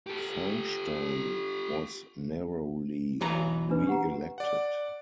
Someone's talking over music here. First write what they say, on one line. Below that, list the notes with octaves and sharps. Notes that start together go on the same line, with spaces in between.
Feinstein was narrowly re-elected.
G4 A4
B1 E3 A#5
D4 B4
G4 F#5 A#5
D5 F#5